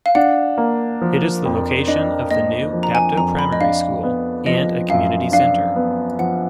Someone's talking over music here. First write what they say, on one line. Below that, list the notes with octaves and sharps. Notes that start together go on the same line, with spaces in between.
It is the location of the new Dapto Primary school and a community centre.
F5
D4 F#5
A#3
F3
F2
D4 D#5
A#3 D#5
F3
A#5
G#5
F2 A#5
B5
D#5
D4 F5
B3
F3 D#5
F#2 F5
D4 F5
B3
F3 F#5